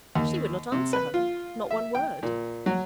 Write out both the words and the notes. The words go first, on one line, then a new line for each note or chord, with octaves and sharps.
She would not answer her--not one word.
D#2
C3
B4
F4
E5
G5
A#2
F#3